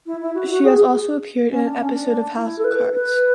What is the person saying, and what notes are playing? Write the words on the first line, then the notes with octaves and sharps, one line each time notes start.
She has also appeared in an episode of "House of Cards".
E4
E4
F#4
F#4
G#4
G#4
C#4
D4
C#4
D4
E4
A4
B4
B4